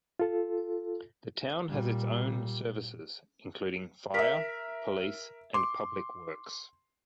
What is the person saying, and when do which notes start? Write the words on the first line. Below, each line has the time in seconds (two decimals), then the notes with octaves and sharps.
The town has its own services, including fire, police and public works.
0.20 F4 A4
1.70 A#2 G3
4.14 A#4 E5 B6
5.54 C6 D6